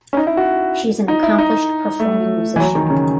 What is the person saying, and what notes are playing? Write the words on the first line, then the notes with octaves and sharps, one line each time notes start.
She is an accomplished performing musician.
C#4
D#4
E4
F#4
D#4
E4
D#4
A3
E3
F#3
D#3
C#3